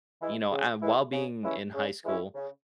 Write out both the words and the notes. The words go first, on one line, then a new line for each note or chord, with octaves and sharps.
you know, and while being in high school,
E3 G#3 E4
C#3
E3 G#3 E4
C#3
E3 G#3 C#4 E4
C#3
E3 G#3 C#4 E4
C#3